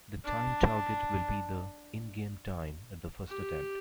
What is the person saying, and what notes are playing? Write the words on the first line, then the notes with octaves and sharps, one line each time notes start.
The time target will be the in-game time at the first attempt.
D4
G4